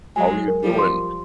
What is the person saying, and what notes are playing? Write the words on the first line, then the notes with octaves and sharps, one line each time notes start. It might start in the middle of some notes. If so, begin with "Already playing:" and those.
how you doin'?"
F#3 G#3 G#5
A#4
F3 G3
C6